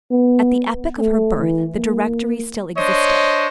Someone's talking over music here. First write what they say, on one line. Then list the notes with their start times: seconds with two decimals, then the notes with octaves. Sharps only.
At the epoch of her birth the Directory still existed.
0.11 B3
0.99 A3
1.40 E3
1.76 A#3
2.77 D4 C5 C#5 D#5